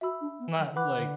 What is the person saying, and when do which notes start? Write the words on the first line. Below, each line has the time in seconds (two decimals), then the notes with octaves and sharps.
not, like
0.01 F#4 E5 B5 E6
0.21 D4
0.39 B3
0.58 F#3
0.72 D3
0.76 E3 B4 F#5 B5 D6 F#6
0.94 D3